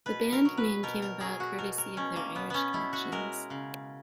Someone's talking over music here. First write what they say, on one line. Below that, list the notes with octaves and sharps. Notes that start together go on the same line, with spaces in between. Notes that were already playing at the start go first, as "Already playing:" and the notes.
The band name came about courtesy of their Irish connections.
B2 B4
A#4
F#3
B4
B2 A#4
A#4
F#3 G#4
F#4
B2 A#4
A#4
B2 C#4
A#3
B2 B3
B3 C#4
B2 E4
F#4
G#3 A#4
C#3